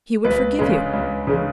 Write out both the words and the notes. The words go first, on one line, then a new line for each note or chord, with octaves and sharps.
"He would forgive you."
C#2 B4
C#3 G#3
C#2
C#3 G#3